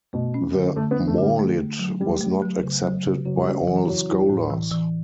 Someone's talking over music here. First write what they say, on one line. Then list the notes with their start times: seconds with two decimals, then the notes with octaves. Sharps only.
The Mawlid was not accepted by all scholars.
0.13 B2 A3
0.34 C#4
0.55 D3
0.76 D3 A3
0.91 B3
0.97 D4
1.07 A3
1.18 D3 G3
1.39 A3
1.59 A3
1.79 F#3
2.00 G3 A3
2.21 A3
2.42 F#3
2.63 C#3
2.84 F#3
3.05 C#3
3.25 C#3 F#3
3.38 G3
3.46 F#3 C#4
3.68 E3
3.87 F#3 E4
4.09 E4
4.30 A2
4.50 E3
4.71 E3